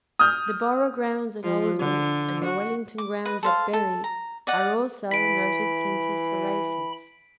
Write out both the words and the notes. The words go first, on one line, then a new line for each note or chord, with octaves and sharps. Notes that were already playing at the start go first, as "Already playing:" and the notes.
The Borough grounds at Oldham and the Wellington grounds at Bury are also noted centres for races.
D#6 F6 G6
F3
D3
F#4
D6
B4 D#5
A4 C5 F5
A4
A#5
D5 D#5 F#5
E3 B5 B6 D7